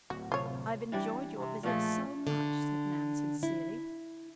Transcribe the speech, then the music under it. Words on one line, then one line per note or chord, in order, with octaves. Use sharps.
"I've enjoyed your visit so much," said Nan sincerely.
D1 F#4
C3 F4 C#5
E3 G3 D4
C3
A#2 F3 A3 G#4
D3
E4